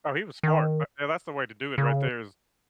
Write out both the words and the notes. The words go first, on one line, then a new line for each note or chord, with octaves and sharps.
Oh, he was smart, a and that's the way to do it, right there is
D#3
C#3